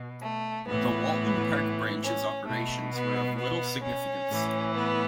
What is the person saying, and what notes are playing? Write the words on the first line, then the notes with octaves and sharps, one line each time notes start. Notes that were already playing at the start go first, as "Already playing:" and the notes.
The Walton Park Branch's operations were of little significance.
Already playing: B2
A3
A2 E3 B3
C#4
B2 A3
B3
B3
C#4
A2 E3
B3